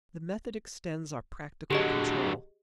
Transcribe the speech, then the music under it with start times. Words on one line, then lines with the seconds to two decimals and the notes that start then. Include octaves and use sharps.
The method extends our practical control.
1.71 D3 F#3 G4 G#4 D#5